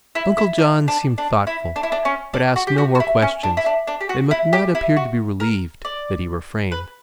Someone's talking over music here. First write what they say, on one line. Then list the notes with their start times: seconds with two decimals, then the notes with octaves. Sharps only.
Uncle John seemed thoughtful, but asked no more questions, and McNutt appeared to be relieved that he refrained.
0.15 E4
0.38 E4
0.58 D4
0.88 D4
1.18 D4
1.47 E4
1.76 D4
1.83 E4
1.92 D4
2.05 C#4
2.34 D4
2.56 F#4
2.67 G4
2.78 F#4
2.95 F#4
3.00 E4
3.22 C#4
3.43 D4
3.57 E4
3.66 D4
3.87 D4
4.01 G4
4.09 F#4
4.31 E4
4.53 G4
4.75 E4
4.97 F#4
5.40 A#4
5.85 D5
6.72 B4